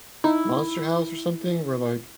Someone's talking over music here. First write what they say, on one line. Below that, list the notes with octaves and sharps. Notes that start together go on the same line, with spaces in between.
Monster House or something where, like,
D#4 E4